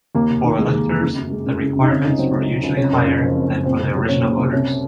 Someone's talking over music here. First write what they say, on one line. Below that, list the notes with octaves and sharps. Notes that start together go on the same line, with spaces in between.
For electors, the requirements were usually higher than for the original voters.
D#2 A#3
F1
D#3
G#3
D#2
F1
C#3
F#2
G#3
F#2
C#3
F#2
D#4
C3 C#4
C#4
C#2 D#4
F#3 C4
C#2 C#4
C3
C#2
F2 C#4
F#1
C#3
F3
F2
F#1
A#2 C4
C2
F#3
A#3 C#4
A#2
C2
C3 C#4